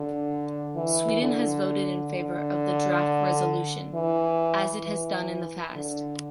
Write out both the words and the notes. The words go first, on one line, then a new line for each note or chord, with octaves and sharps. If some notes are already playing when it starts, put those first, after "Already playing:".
Sweden has voted in favor of the draft resolution, as it has done in the past.
Already playing: D3
E3
D3
D3
E3
E3
D3